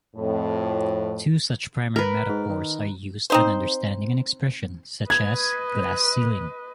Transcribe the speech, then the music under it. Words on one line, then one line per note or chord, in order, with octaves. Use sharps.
Two such primary metaphors are used when understanding an expression such as "glass ceiling".
F2 A2
A#4 B4
G#2
D#3
C4 D#4 C5
B4 D#5 G#6